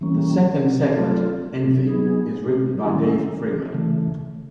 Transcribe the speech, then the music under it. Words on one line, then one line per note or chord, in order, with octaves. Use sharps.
The second segment, "Envy", is written by Dave Freeman.
E3 G3 A#3 C#4
F#3 A3 C4 F4 A4
F#3 B3 D#4 G#4
D#3 G3 A#3 C#4 E4
C#3 E3 A3